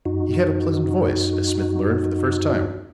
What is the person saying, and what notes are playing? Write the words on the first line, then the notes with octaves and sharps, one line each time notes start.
He had a pleasant voice, as Smith learned for the first time.
F#2 D#4 F#4